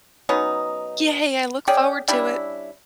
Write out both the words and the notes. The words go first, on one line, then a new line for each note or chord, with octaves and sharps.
Yay. I look forward to it.
F#3 B3 C#4 D#4
C#4 G#4 D5 G5
G3 C#4 D4 E4